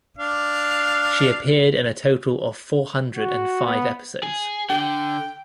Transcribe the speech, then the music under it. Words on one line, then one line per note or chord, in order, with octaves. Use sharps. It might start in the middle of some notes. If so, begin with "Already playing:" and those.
She appeared in a total of four hundred and five episodes.
D4 F5
F#4
B3
G#4
D3 G5